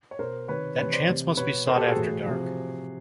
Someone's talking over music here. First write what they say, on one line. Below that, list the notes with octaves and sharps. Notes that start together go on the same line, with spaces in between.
That chance must be sought after dark.
C#5
B2 A#4 C5
C3 D#3 B4 C#5
C3 E3 B4 C#5
C5 D5
C3 E3
B2 B4 C#5
B2 A#4 C5
G4 A4
F#4 G#4
A2 E3
C3 F3